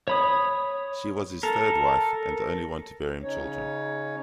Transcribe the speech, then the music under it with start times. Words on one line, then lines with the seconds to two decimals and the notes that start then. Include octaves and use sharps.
She was his third wife and the only one to bear him children.
0.08 C#5 B5 D#6
1.43 A4 A#4
3.21 C#3 C#4 D#4 C#5